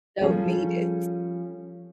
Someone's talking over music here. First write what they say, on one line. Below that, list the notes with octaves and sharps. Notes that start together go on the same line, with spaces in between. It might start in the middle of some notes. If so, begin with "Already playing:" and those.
Don't need it.
F3 G3 C#4 G#4 A4 C#5